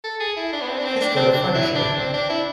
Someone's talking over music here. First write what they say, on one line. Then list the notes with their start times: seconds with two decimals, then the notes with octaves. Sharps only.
He's got a funny show.
0.04 A4
0.20 G#4
0.37 E4
0.53 D4
0.62 B3
0.68 C4
0.79 D4
0.85 C4
1.01 D4
1.16 C4
1.33 D4
1.55 E4
1.75 D4
1.98 C4
2.14 D4
2.30 E4